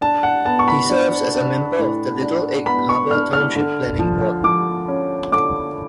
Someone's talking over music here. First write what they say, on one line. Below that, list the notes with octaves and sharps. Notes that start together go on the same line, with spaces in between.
He serves as a member of the Little Egg Harbor Township Planning Board.
D4 A5
F#5
B3 A5
C#6
B5
D4
D4
A2
D4
B3 B5
C#6
D4 F6
F6
D3
F3
F3 D6
C#4
D3 D6